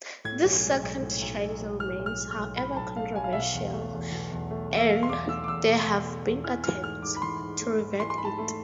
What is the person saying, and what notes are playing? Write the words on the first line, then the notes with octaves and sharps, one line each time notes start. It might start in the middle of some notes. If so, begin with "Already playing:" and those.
This second change remains however controversial and there have been attempts to revert it.
A2 G#6
B1
G#3
B1
A2
B1
G#3
B1
A2 F6
B1
F6
G#3
F6
B1
A2 B5
B1 A5
G#3 F5
B1 G#5
F5
B2 E5
F5
E2
A3
E2
B2
E2
A3
E2
E5
B2 F5
C6
E2 D6
A3 E6
D6
E2 E6
B2
E2
A3
E2
E3 F6
G#2 F6
A3 F6
G#2 D6
B5
E3 C6
G#2
A3
G#2
E3 C6
C6
G#2 B5
A5
A3